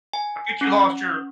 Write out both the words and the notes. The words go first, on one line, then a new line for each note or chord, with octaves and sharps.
I think you lost your,
G#5
C#4